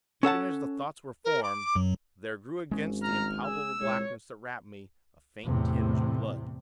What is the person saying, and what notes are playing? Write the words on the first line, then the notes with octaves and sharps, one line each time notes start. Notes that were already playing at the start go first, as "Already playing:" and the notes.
Even as the thoughts were formed, there grew against the impalpable blackness that wrapped me a faint tinge of blood.
C#4 A4 F#5 A5
A#4
D6
F#2 F#3
G#1 G#3 C4 C#4
A#5 F6
G#4 E6
C2 A#2 G#3 C#5
E2 A2 C3